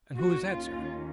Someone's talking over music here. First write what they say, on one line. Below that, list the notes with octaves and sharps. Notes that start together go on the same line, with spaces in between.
"And who is that, sir?"
D#2 D#3 A#3 C#4 F#4
F4